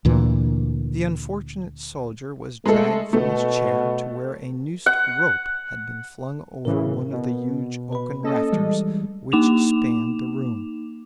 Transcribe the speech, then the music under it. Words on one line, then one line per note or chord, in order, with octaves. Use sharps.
The unfortunate soldier was dragged from his chair to where a noosed rope had been flung over one of the huge oaken rafters which spanned the room.
D2 A#2 E3
G#3 A3 A4
B2 A3
F#5
A2 C#3 E3 A#4
B2
B4 B5
A#3 C#4 A4 D#5
E3 G3 G#3
A#3 D#4 D6 E7 F7